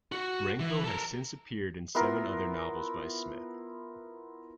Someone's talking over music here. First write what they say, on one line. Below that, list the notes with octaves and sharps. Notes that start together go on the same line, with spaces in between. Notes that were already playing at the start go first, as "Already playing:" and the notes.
Renko has since appeared in seven other novels by Smith.
F#4
E3
A4 A#4
B3 E4 F4 A#4